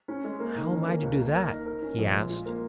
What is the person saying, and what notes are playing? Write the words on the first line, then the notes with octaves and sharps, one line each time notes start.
'How am I to do that?' he asked.
C#4
G#3
A#3
D#3
C#4
A#3
C#2
A#3
A#4
D#4
A#4
C#4
A#1
G#3
F4
A#3